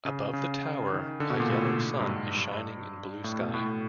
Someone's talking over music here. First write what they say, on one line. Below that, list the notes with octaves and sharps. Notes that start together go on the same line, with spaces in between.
Above the tower a yellow sun is shining in blue sky.
C#3
C#3
D#3
D3
B2
A#2
A2
G2
G#2
G2
G2
A2
B2
A2